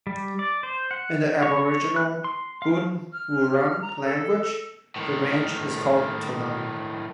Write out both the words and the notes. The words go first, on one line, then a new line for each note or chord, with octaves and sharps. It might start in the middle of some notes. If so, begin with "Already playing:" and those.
In the Aboriginal Boonwurrung language, the range is called Tolone.
G3
D5
C5
F#5
C#5
C#5
F#6
C6
F5
F6
A#5
A4
A4
A2 D#3